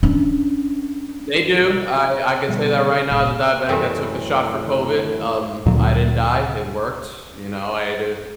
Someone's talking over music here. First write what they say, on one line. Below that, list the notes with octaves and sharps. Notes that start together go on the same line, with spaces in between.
They do, I I could say that right now as a diabetic that took the shot for COVID, um, I didn't die, it worked, you know? I had to
C#4 D4
B2 D3 G3
D1 G1 A#2
F#2 A2 E3 G3 A3 G4 A#4 G5
D2 A#2 D3 F#3